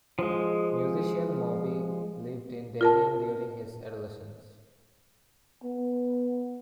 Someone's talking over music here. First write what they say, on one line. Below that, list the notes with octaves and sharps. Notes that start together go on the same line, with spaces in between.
Musician Moby lived in Darien during his adolescence.
F3 G#3
F4 A#4 A5
B3